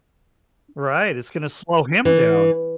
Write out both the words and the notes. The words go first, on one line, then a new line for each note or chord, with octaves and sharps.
right, it's gonna slow him down.
E3